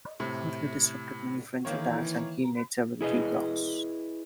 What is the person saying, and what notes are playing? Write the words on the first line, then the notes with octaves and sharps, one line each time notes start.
Hartley disrupted many French attacks and he made several key blocks.
A2 C3
D#3 E3 A#3 C#5
E4 G#4 B4 D#5